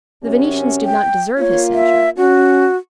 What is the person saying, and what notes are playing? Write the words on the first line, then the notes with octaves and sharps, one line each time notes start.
The Venetians did not deserve his censure.
F#2 C3 C#4
G5
A#3 F4 C#5
E5
C#4 F#4